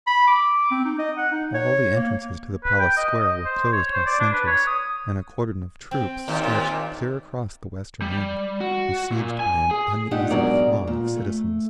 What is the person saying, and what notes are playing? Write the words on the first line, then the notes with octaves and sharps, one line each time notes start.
All the entrances to the Palace Square were closed by sentries, and a cordon of troops stretched clear across the western end, besieged by an uneasy throng of citizens.
B5
D6
C4
D#4
D#5
F#5
D#4
C#5
A#3
B4
G5
D#5
D#5
C5
C#5
C5
D5
D4
B4
C#5
D#6
C4 G5
D#2 A#2
G3
F#4
A#2
G#5
G#4
A#2 D4 D#4 G4 E5 F#5
B2 F#3 G#3 A#4 D5
A#2
A3